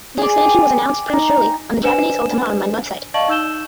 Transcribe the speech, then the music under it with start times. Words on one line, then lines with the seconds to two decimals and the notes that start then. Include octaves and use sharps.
The expansion was announced prematurely on the Japanese Ultima Online website.
0.18 G#4 D5
0.40 G5
1.13 D#4
1.83 D4 B4 C5 D5 G#5 E7
3.14 D5 D#5 F5 A5 C#6 F#7
3.28 D#4 E6 G6 E7 G7